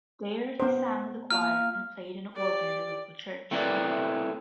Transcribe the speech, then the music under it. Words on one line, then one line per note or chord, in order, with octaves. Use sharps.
There, he sang in the choir and played an organ in the local church.
B3 C5
A#3 F4 F5 F6
G4 D5
A3 C4 E4 A#4 B4 D5